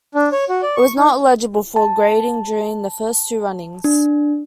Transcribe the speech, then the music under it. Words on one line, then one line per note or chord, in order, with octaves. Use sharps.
It was not eligible for grading during the first two runnings.
D4
C#5
F#4
D5
C#6
D#4
A5
D4